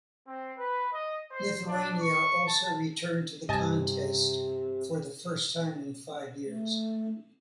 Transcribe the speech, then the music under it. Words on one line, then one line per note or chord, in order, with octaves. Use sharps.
Lithuania also returned to the Contest for the first time in five years.
C4
B4
D#5
C5
D4
C#6
A5
G2 C3 D#5 G#5 A5
A3